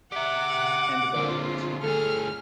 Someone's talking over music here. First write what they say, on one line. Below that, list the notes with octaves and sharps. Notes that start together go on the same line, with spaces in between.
And about you too!
G4 E5 F#5 D6
D3 C4 F4
D2 G#4 A4 F6